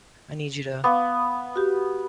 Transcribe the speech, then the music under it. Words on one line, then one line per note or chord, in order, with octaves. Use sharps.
I need you to
B3 F5 D6
F#4 G4